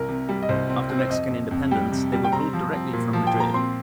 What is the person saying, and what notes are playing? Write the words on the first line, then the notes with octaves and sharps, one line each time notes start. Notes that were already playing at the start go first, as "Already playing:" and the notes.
After Mexican independence, they were ruled directly from Madrid.
Already playing: C2 A#4
C3
G3
D#5
C2 C5
C4
C4
C5
F2 D#5
F2
F2
G3 G5
C3
G3
G5
C4 A#5
F3
C4
A#2
F3
G5
A#2
A#5
C4 C6